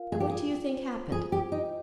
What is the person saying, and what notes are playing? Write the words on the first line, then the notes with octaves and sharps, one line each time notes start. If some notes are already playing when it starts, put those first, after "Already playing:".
And what do you think happened?
Already playing: F4 A#4 F5
G#4
G4
F4 G#4
C5
F4 G#4
G4
D#4 D#5